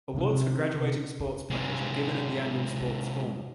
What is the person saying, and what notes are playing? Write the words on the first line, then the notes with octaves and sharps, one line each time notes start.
Awards for graduating sports players are given at the Annual Sports Formal.
C3
C3 G#3